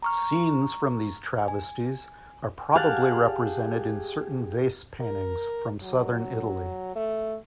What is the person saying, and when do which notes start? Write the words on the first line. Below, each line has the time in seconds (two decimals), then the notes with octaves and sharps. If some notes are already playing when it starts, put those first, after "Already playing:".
Scenes from these travesties are probably represented in certain vase paintings from Southern Italy.
0.02 A#5 C#6 F6
1.48 G#5
2.76 G4 G#4 F5 F#5 A5
5.01 A#4
5.83 F#3
6.96 A3